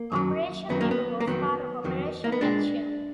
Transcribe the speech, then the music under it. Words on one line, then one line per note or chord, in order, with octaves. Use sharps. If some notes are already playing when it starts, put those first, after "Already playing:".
Operation Maple was part of Operation Neptune.
Already playing: A#3
F#2 D#3 F#3
F#2 D#3 F#3 B3
A#3
B3
A#3
F2 D#3 F#3 B3
F2 D#3 F#3
A#3
B3
A#2 G#3 D4